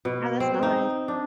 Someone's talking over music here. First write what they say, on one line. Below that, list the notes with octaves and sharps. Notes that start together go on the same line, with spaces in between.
No, that's nice.
B2
C4
D#4
D4